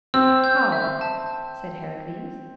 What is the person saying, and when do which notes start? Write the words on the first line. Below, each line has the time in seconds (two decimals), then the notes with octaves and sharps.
"How?" said Heracles.
0.14 C4 E6
0.44 G6
0.72 E5
1.01 A5